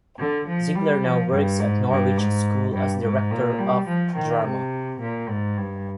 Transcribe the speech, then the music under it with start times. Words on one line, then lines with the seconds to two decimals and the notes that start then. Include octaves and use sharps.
Ziegler now works at Norwich School as Director of Drama.
0.19 D3
0.47 F3
0.76 G3
1.04 F3
1.32 G2
1.60 G#2
1.89 G2
2.17 G#2
2.73 G2
3.03 G#2
3.31 A#2
3.59 G3
3.88 F3
4.16 D#3
4.44 C3
5.01 A#2
5.29 G#2
5.57 G2